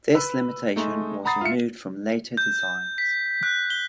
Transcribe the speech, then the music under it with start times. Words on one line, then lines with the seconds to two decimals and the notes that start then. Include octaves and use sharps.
This limitation was removed from later designs.
0.15 B4 E6
0.76 G#3 A3 D#4
1.25 F#5 A#5 B5 D#6 A6 C7
1.41 F4 E5 C#7
2.37 G6
2.98 B6
3.43 F#6
3.70 G7